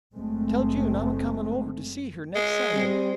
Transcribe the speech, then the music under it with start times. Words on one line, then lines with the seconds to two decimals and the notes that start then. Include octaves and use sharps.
"Tell June I'm a-comin' over to see her next Sunday."
0.14 F#1 F#2 G#3 A3 C4
2.35 G#3
2.74 G3 C4